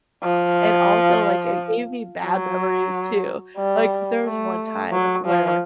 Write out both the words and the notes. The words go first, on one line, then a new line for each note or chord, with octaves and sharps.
And also, like, it gave me bad memories too. Like, there's one time where
F3
F#3
G3
A3
F#3
F3